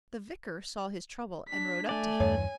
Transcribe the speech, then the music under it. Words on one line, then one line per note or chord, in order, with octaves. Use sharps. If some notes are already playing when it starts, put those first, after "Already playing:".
The vicar saw his trouble, and rode up to him.
D4 B6
A3 D5 G#5
E2 G2 E3 C#5